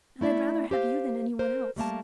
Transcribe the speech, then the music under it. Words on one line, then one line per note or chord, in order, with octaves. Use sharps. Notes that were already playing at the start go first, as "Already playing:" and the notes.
And I'd rather have you than any one else.
A3 E4 D5 E5
G4 C5 F5
A#4 C5
G3 A3 A#3 A5